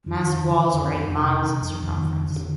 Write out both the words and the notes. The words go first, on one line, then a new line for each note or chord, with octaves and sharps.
Massive walls were eight miles in circumference.
F2 D#3
D3
D3
F2
F2
C3
C3
F2
F2 D#3
D3
D3